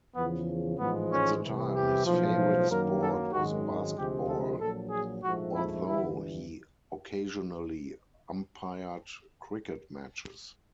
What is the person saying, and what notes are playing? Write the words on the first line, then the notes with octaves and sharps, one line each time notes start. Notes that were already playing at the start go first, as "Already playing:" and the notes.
At the time, his favourite sport was basketball, although he occasionally umpired cricket matches.
E2 C#3 F3 B3
A1 G#2 F3 G#3 B3
C#4
C2 C3 E3
G4
B1 A2 F3
F#2 D#3 F#3 A#3 A#4
A4
G#1 F#2 D#3 G#3 F#4
D2 C3 F3 G#3 G4
A4
A#1 A#2 F#3 A4
G#4
A#1 G#2 F3 A3 F#4
E4
G1 G2 E3 E4